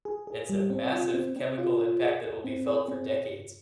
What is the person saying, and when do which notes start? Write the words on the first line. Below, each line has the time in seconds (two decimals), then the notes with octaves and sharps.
it's a massive chemical impact that will be felt for decades.
0.05 G#4
0.27 G#4
0.49 G3
0.70 C4
0.93 F4
1.14 C4
1.36 C4
1.58 F4
1.79 F4
2.02 G#4
2.24 G#4
2.44 C4
2.67 G#4
2.88 C4